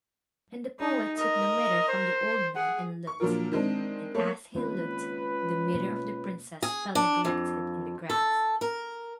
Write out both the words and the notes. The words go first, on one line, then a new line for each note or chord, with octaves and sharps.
And the poet took the mirror from the old man and looked; and, as he looked, the mirror of the princess fell neglected in the grass....
D#4 G#4
A#4 D#5
C5
G#4 F#5
C#6
A#2 D3 F3 F#3 F4 A#4
D#3 G#3 C4 D4
A3 A#3 C#5
C#2 D#3 A#3 C4 B4
B2 A#3
G#4
D4
F2
A4
A#4